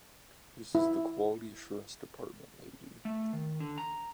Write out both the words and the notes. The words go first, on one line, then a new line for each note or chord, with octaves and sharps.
This is the quality assurance department, lady.
E4
A3
D#3
D3
A#5